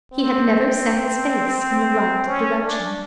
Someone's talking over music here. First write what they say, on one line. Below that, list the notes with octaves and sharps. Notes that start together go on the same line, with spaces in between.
He had never set his face in the right direction.
C4
C#4
D4